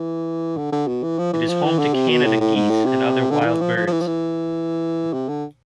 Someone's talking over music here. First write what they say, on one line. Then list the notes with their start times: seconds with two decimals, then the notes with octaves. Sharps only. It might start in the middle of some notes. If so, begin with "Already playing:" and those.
It is home to Canada geese and other wild birds.
Already playing: E3
0.57 D3
0.72 D3
0.88 B2
1.03 E3
1.18 F3
1.33 E3
1.49 F3
1.63 E3
1.79 D3
1.94 C3
2.09 B2
2.25 A2
2.40 A2
2.55 G#2
2.70 A2
2.85 C3
3.31 D3
3.41 D3
3.46 E3
3.61 F3
3.76 F3
3.87 F3
3.92 E3
4.01 F3
4.07 E3
5.13 C3
5.29 D3